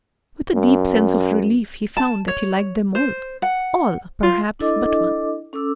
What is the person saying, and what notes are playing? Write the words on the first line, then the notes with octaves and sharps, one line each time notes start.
With a deep sense of relief he found that he liked them all. All, perhaps, but one.
F#2
A5
C#5
C5
F#5
F4
D4 E4 A4 D#5 D6
C#4 A4 D6 E6